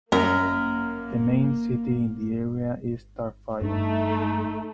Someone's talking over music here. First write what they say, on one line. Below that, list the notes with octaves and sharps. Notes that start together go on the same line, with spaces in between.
The main city in the area is Tarfaya.
F#2 A#3 A#4
G2 A3 D#4